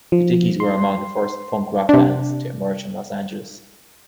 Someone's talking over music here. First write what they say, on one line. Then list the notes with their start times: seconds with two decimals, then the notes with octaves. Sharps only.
The Dickies were among the first punk rock bands to emerge from Los Angeles.
0.12 F3
0.60 C6
1.89 C3 D4